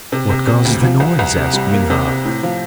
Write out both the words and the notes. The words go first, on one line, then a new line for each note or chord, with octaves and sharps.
"What causes the noise?" asked Minha.
C3
C3
C3
D2
F3
C2
C2
C3
G3
A#3
C3
C3
A2
F3